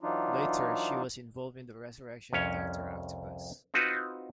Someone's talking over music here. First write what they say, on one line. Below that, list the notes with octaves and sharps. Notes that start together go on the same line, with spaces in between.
Later, she was involved in the resurrection of Doctor Octopus.
E3 F#3 D4 D#4 F4
C2 F2 C#4 C#5
C4 D#4 F4 F#4 B4